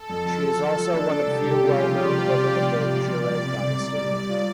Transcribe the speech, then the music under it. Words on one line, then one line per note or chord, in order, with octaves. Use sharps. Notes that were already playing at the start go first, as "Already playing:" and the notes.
She is also one of few well known women of the Giray dynasty.
Already playing: A4
F2
F3
F3
F3 A4
F3
D4
D4
C2 G4
C2
C3 F4
F3
C2 D5
C2
C2
F3
C3
C2
F3
C2
C2 D5
C3
C3
C2
G3
G3
F4